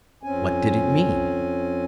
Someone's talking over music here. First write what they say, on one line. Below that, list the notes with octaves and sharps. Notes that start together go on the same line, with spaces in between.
What did it mean?
F2 C4 C#4 G#5